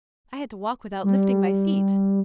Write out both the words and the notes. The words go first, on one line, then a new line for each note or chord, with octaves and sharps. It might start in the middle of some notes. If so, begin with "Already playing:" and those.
I had to walk without lifting my feet.
G3